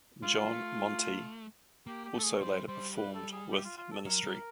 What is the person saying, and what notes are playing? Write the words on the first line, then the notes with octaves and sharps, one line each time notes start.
John Monte also later performed with Ministry.
G#3 F4
A#3
A3
A#3 G4
G4
A3 A4
G#4
C#5
G3 C5
G3 C5
B4
A4
G#4
G4
F4
F4
A4
F#3 A#4
G3